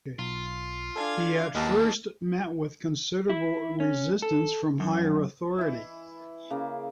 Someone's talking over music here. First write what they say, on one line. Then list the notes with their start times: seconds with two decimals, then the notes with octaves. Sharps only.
He at first met with considerable resistance from higher authority.
0.19 B1 F4
0.96 D4 A4 F5 G#5 G#6
1.55 D#2 E3 G#3 D#4 A5
3.30 E4
3.80 C#4
4.22 A4
4.80 F#2
5.58 E3 E4
6.51 C#3 A#3